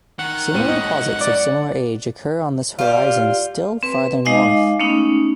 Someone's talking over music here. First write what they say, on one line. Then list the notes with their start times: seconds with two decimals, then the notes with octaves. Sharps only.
Similar deposits of similar age occur on this horizon still farther north.
0.19 D#3 F#5
0.54 A2 G3 C4 D#7
0.68 G#2 F#3 D#5
1.21 D5
2.79 G3 F4
3.83 C4 B4
4.25 G#3 D#4 D#5 F5 G#5 D6
4.80 A3 B3 C#4 D#4